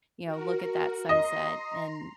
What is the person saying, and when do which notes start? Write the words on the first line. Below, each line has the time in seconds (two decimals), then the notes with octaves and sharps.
you know, look at that sunset and
0.25 F#4 A#4
1.09 D#5 A#5 C6